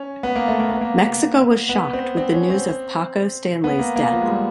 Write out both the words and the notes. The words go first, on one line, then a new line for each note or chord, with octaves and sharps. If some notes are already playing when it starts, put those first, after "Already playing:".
Mexico was shocked with the news of Paco Stanley's death.
Already playing: C#4
B3
A#3
A3
A#3
B3
A#3
B3
C4
C4
C#4
C4
B3
A#3
A#3
F3
G#3
G3